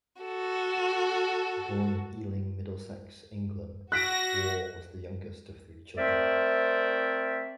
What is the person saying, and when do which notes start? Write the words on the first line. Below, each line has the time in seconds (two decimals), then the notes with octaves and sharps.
Born in Ealing, Middlesex, England, Warr was the youngest of three children.
0.22 F#4 A4
3.92 F#4 F#6 A#6 B6 D7
5.97 A3 C4 A#4 C5 D5 E5